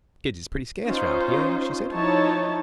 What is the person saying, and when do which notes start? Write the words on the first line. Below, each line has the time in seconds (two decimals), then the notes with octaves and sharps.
"Kids is pretty scarce round here," she said.
0.86 C#4 D#4 F4 C5
1.91 F3 D#4 E4 C#5 A5